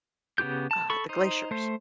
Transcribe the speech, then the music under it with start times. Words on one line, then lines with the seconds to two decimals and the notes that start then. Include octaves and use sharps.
uh, the glaciers.
0.38 C#3 B3 F4 G4 G6
0.71 A5
0.90 A4 B5 C#6
1.09 D#4 C5
1.51 A3 C5